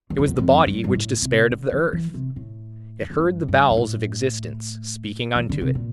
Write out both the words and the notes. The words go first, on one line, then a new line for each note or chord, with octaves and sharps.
It was the body which despaired of the earth--it heard the bowels of existence speaking unto it.
E2
F2
E2
F2
G2
G2
A2
C3
D3
E3
E3
C3
A2
E2
F2
G2
G2
G2
A2
E3
D3
C3
A#2